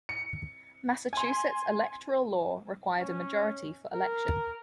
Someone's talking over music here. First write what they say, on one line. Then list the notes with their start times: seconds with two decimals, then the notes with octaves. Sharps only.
Massachusetts' electoral law required a majority for election.
0.09 C#7
1.13 G#5 C6
3.00 C#4
3.93 A#4